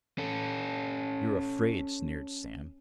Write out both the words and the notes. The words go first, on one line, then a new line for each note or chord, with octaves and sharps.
"You're afraid," sneered Sam.
C#4 A4